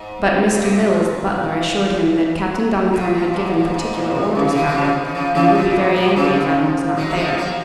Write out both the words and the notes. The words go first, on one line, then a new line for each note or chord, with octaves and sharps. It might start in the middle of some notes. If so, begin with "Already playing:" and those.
But Mr. Mills, the butler, assured him that Captain Donnithorne had given particular orders about it, and would be very angry if Adam was not there.
Already playing: G#2
A#2
C3
A#2
A#2
A#2
G#2
A#2
G#2
A#2
C3
C#3
C#3
C3 D#3
D#3
C#3 F3
D#3
C#3 F3
C#3 F3
A#2
A#2
G#2
A#2
C#3 F3
D#3 F#3
A#3
F3 G#3
G#3
F#3 A#3